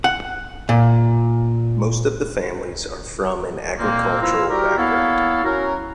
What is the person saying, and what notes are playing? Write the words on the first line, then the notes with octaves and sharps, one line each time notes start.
Most of the families are from an agricultural background.
F#5
A#2
A#2 A#3 C4
F3 E4 F4 A#4 F5 E6
G3 F#4 G4 A#4
A#3 B3 E4 A4 C#5 F5
C#4 E4 F#4 A#4